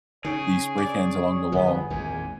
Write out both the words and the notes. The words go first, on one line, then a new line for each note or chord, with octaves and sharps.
these spray cans along the wall?"
C#3 D#4 G#4 C#5
C#5 D5
G1 F3 B3
G#1 E2 A#2 G#5